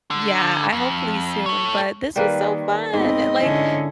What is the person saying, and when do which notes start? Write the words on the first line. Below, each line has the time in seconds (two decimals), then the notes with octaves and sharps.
Yeah, I hopefully soon, but this was so fun! Like,
0.11 D3
0.72 F2
1.46 A4 C#5
2.16 D#3 G3 A#3 B4
2.93 G#2 B3 C4 D#5
3.40 D3 C#4 E4